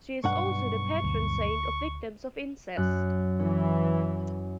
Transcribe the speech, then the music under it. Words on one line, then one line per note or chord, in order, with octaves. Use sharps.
She is also the patron saint of victims of incest.
B1 G2 F#5 C#6
D2
F#2 F#6
E3 C#4